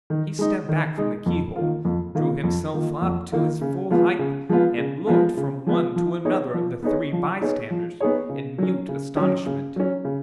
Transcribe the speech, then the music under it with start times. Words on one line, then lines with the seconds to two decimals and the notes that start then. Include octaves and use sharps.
He stepped back from the keyhole; drew himself up to his full height; and looked from one to another of the three bystanders, in mute astonishment.
0.10 D#3
0.39 G#3 D#4
0.69 D#3
0.98 G#3 D#4
1.26 F2
1.56 D#3 A#3 F4
1.85 F2
2.15 D#3 A#3 F4
2.44 F2
2.74 D#3 A#3 F4
3.02 F2
3.32 D#3 A#3 F4
3.61 C#3
3.90 F3 G#3 B3 F4
4.19 C#3
4.49 F3 G#3 B3 F4
4.78 C#3
5.07 F3 G#3 B3 F4
5.37 C#3
5.67 F3 G#3 B3 F4
5.96 F3
6.25 B3 D#4 G#4 C#5
6.54 F3
6.83 B3 D#4 G#4 C#5
7.12 F3
7.42 B3 D#4 G#4 C#5
7.71 F3
8.01 B3 D#4 G#4 C#5
8.29 C#3
8.58 F#3 C#4
8.88 C#3
9.17 F#3 C#4
9.46 C#3
9.76 F#3 C#4
10.05 C#3